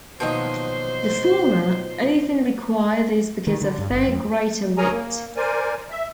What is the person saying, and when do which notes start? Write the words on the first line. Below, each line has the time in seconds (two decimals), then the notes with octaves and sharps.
The former often require these because of their greater weight.
0.20 B2 D#3 F3 F#3 A#3 C5 D#5
3.47 D#3
3.62 D3
3.78 G2
3.91 G1
4.08 F2
4.77 D2 G#4 A#4 C#5 G#5 A#5
4.91 A#3
5.36 A#4 C5 D5 G#5
5.91 E5